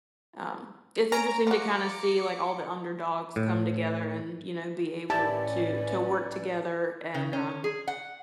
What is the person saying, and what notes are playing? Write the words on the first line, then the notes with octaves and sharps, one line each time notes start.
um, it's interesting to kinda see, like, all the underdogs come together and, you know, be able to to work together and, um
C#4 A#5 D7
F3 F#4 D6 C#7
A2
A1 C#4 E4 G4 B4 D5 A5
C#3
C#4
G#4
F#5